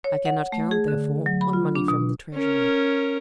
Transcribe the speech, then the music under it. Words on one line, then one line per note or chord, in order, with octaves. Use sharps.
"I cannot count, therefore, on money from the treasury."
C#5
F#5
A3
G#4
D3
F#3
B5
F4
D4
B2
C#4 A#4